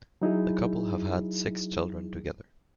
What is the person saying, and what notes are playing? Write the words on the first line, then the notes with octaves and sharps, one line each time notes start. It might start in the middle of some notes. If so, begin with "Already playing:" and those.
The couple have had six children together.
F#3 D#4 E4 G#4